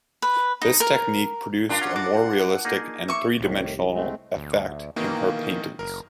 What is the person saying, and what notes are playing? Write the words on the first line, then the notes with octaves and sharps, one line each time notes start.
This technique produced a more realistic and three-dimensional affect in her paintings.
B4
D#4
A#4
G2 D4 F4 A#4
C#4 F#5
F#4 D5 D6
A#3 D#4 G#4
E5 C#6 D6
C2 A2 D#3
G#3 A3 C4
D2
B2 D#3 E3 A#3
F#1 A#4